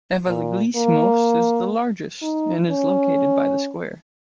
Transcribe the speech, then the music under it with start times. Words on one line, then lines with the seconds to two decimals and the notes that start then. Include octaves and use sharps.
"Evagelismos" is the largest and is located by the square.
0.28 A#2
0.76 A#3
2.22 D#4
2.71 C#4